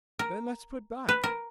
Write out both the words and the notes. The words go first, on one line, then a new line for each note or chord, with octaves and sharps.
"Then let's put back."
A#4
B4
A#4